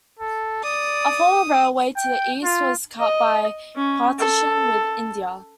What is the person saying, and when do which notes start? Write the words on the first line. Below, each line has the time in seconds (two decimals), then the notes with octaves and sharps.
A former railway to the east was cut by partition with India.
0.19 A4
0.64 D5 D#6
1.97 G5
2.44 F4
3.00 D#5
3.76 C#4
4.19 A4